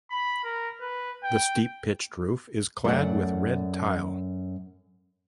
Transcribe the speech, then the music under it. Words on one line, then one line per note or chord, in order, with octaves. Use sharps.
The steep pitched roof is clad with red tile.
B5
A#4
B4
G5
F#2 A3 E4 D5 F#5